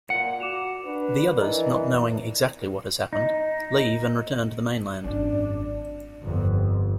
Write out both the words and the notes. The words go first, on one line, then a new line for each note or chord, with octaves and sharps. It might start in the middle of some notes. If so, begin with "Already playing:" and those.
The others, not knowing exactly what has happened, leave and return to the mainland.
A#2 F#5
F#4 D6 E7 F7
D4 B4
E3 A#4 D5 D#5 A#5
D#4
G#1 F#2 D4
G1 F2